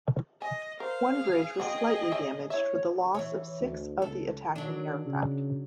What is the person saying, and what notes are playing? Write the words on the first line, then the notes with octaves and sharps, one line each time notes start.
One bridge was slightly damaged for the loss of six of the attacking aircraft.
D#5 G#5
A#4 C5 F5
G#4
A#3 C4 F#4 D#5 G5
C#5 E5 G#5
E4 C#5 E5
E3 C#5
D2
C#2 A4
D#3 F#3 D4
C#3